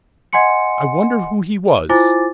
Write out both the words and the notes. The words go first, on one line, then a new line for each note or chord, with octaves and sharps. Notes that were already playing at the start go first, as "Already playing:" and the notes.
"I wonder who he was."
D#5 F#5 G#5 C6 C#7
E4 F4 C5 G#5 D6 A6